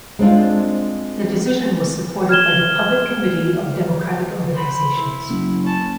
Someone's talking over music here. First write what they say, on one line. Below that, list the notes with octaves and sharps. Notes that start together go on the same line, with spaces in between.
The decision was supported by the Public Committee of Democratic Organisations.
G#3 C4 D4 F4
F6 G#6 E7 G7
C5 B5
E4
F#1
C#4 A5